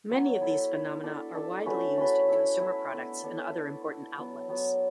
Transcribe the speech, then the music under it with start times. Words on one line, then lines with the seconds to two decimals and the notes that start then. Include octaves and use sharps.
Many of these phenomena are widely used in consumer products and other important outlets.
0.10 F#3 B3 F#4 C#5
0.41 E4 A4 E5
0.72 E4 A4 E5
1.04 D4 A4 E5
1.35 D4 A4 E5
1.66 A3 C#4 F#4 B4
1.98 A3 C#4 F#4 B4
2.29 E4 A4 E5
2.60 E4 A4 E5
2.91 B3 D4 A4
3.23 B3 D4 A4
3.54 E4 A4 E5
3.85 E4 A4 E5
4.17 F#3 B3 F#4
4.48 F#3 B3 F#4